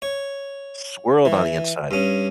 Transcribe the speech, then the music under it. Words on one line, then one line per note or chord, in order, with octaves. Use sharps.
Swirled on the inside.
C#5
E3
G2 C#4